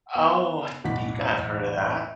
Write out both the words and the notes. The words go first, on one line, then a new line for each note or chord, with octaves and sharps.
Oh, I think I've heard of that.
B3
B1 E2 A2 E3 F#5 B6